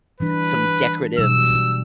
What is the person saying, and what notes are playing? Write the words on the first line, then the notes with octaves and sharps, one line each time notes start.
some decorative
E3 G3 D4 B4
B2 F#3 G3 E6